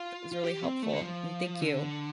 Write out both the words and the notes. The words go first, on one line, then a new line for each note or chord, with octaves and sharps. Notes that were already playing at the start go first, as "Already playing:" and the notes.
that was really helpful, and thank you
Already playing: F4
F4
G4
C4
A3
D3
F3
D3